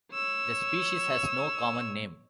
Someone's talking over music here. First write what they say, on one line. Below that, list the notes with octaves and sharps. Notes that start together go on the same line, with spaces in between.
The species has no common name.
C#5 E6